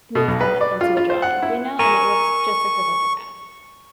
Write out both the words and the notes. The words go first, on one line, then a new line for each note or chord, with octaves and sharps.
make that into a drawing, you know? And it looks just like the photograph.
B2
B1
B4
D5
F4
F4
C5
F#5
E4
A#4 G#5 A#5 C#6